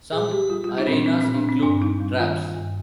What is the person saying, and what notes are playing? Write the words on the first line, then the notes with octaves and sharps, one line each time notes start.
Some arenas include traps.
A#2 G#4
G3 G4
G3 F4
G3 F4
D#4
A#2 C4
D4
A#2 C4
A#2 C4
D4
A#2 C4
G2 D4
G3 D#4
G3
D#3 F4
D#3
G2